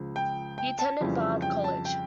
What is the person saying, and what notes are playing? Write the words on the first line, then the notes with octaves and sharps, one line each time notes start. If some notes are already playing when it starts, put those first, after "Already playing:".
He attended Bard College.
Already playing: C#2 C#3 F3
G5
G5
A5
F2 C#3 E3 G3
G5
A5
G5